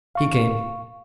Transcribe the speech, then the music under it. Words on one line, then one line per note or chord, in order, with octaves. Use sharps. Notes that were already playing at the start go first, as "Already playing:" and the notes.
He came.
F5 C#6